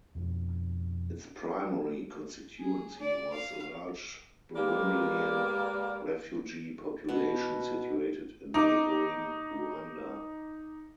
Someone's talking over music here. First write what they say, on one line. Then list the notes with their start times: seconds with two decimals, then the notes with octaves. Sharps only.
Its primary constituency was the large Burundian refugee population situated in neighboring Rwanda.
0.15 F2 B2
2.60 G#4
3.00 D5
3.33 F5
4.56 G#3 A#3 G4 A#4 B4 D5
7.09 B2
8.54 D#4 D6